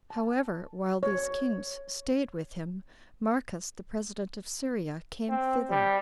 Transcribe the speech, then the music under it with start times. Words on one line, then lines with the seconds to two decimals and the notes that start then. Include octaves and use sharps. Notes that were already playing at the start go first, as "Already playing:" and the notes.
However, while these kings staid with him, Marcus, the president of Syria, came thither.
0.10 A5
1.03 C#5
5.29 C4
5.69 G3